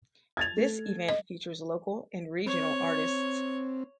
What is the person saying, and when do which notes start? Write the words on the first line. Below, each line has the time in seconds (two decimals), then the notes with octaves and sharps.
This event features local and regional artists.
0.37 G#6 A6 F7
0.57 A3
1.09 D#5
2.46 C4 C#5